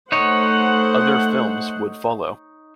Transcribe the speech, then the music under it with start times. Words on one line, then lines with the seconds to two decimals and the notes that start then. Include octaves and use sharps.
Other films would follow.
0.12 A3 D#4 C5 C#5 F#5